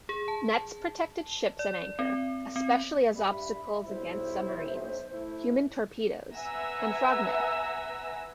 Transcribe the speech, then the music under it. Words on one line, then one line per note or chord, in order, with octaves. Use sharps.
Nets protected ships at anchor, especially as obstacles against submarines, human torpedoes, and frogmen.
G#4
A5
D5
C4
C4
G2 E5 B5
B1 G3 E4 C5 E5
B1
A3 E4
B4 E5 F#5 G#5 A#5 E6